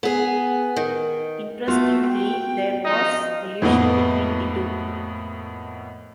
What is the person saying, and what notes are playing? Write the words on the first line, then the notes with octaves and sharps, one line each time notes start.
Interestingly, there was collusion between the two.
B3 G#4
D#3
A3 B3 F4 F#4
G5
F3 D#4 D#5
F2 A2 A#3 B3 D#4